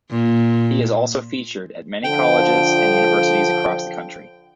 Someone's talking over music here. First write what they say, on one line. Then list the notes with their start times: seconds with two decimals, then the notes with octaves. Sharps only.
He has also featured at many colleges and universities across the country.
0.11 A#2
2.04 D3 F3 G5